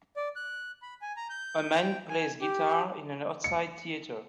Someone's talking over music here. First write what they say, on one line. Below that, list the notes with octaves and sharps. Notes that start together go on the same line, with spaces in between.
A man plays guitar in an outside theater.
D5
F#6
B5
G#5
A#5
G6
G5
G#5
G4
C#7